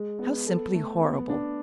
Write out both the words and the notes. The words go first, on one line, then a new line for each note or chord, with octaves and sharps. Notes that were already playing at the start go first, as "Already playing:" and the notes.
'How simply horrible!'
Already playing: G#3
B3
A4
A3
B3
D4